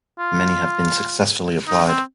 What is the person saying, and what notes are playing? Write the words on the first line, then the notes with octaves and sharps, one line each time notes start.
Many have been successfully applied.
F4
D#4
C4